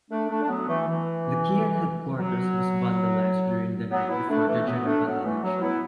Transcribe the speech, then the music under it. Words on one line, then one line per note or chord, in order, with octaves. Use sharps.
The Kean headquarters was vandalized during the night before the general election.
A3 D4
A3 D4
D4
F#3 B3
E3 A3
E3
F#3
F#3 B3
B3 E4
A3 D4
E3 A3
F#3 B3
A3 D4
F#3 B3
E3 A3
F#3
B3 E4